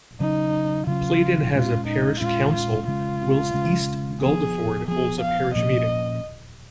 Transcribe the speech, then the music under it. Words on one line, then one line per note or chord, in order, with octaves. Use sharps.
Playden has a Parish Council whilst East Guldeford holds a Parish Meeting.
C#3 F#3 C#4 D#4
C#3 F#3 C#4 F4
A#2 G#3 C#4 F4
D#4
A#2 G#3 C#4 F4
F4
C#3 G#3 C#4 F4
C#3 G#3 C#4
B3 G#4
F3
F3 B3 G#4
F5
A#2 F3 A#3 C#4 D#5